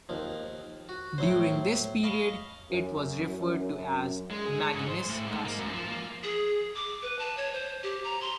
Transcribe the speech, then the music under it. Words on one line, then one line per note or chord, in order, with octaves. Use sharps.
During this period it was referred to as Magennis Castle.
D#2 F3
F#4
A2 F#3 C5
D#5 F5 A5 B5 C#6
F#2
F#2
G#3
G#4
C#5
G#2
C5
A2
G#2
A#3
F#2
F3
A#3
G#4
D6
B4
A5
C#5
C5
G4
A#5
C6